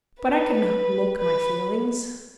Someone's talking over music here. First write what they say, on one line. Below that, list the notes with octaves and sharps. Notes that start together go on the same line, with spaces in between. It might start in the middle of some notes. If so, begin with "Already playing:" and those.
But I could not look my feelings.
B4
B4